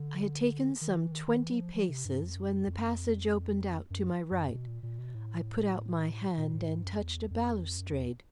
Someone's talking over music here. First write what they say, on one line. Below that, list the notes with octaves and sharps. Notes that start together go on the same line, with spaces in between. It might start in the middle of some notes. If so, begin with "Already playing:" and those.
I had taken some twenty paces when the passage opened out to my right. I put out my hand and touched a balustrade.
Already playing: D3
D#3
E3
D#3
D#3
E3
F#3
F3
F3
C3
G2
F2
F#2
F2
F#2
F2
F#2
F#2
B2
A#2
A#2
B2
A2
A#2
A2
G#2
F#2
E2
F2
E2
F2
F#2
E2